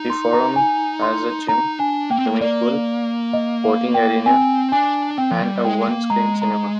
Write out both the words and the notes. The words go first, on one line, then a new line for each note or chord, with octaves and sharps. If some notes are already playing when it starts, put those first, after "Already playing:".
The forum has a gym, swimming-pool, sporting arena and a one screen cinema.
Already playing: D#4
C6
A#5
G#5
C6
D#4 A#5
D4 G#5
A#3 G5
C4
A#3
A#3 D5
D#5
F5
G5
C4 G#5
D4 G#5
C4 G5
F3
G3
G#3 G5
A#3
G#3 A#5
A#5